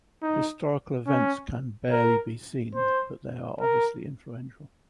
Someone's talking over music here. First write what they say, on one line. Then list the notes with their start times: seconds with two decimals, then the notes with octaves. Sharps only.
Historical events can barely be seen, but they are obviously influential.
0.22 D#4
1.07 C#4
1.91 A#4
2.75 C5
3.60 A#4